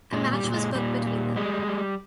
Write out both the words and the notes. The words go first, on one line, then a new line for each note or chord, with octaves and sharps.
A match was booked between them.
A#2 G#3
G3
A#2
G#3
A#2 G3
G3
G3 G#3
G3